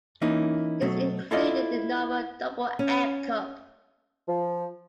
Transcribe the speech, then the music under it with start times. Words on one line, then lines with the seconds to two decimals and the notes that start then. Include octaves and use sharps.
This included the novel double egg cup.
0.22 E3 A#3 C#4 D#4 E4
0.81 B2 F#3 A3
1.31 E4 F4 A4 D5 D#5 F5
2.79 C#4
4.28 F3